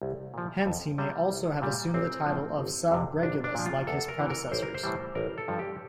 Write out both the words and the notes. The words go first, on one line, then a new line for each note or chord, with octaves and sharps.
Hence he may have also assumed the title of "subregulus" like his predecessors.
C2
A#2 F3
F2
C3 G3
C2
A#2 G3
A1 C4
A2 F3
G1
F2 C3
A#1 D4
D4
A#2 F3
F4
E2 A4
A#4
C3 E3
A#4
A1 C5
A#4
C5
A2 E3 G3
A1 A#4
A4
G2 F3
G4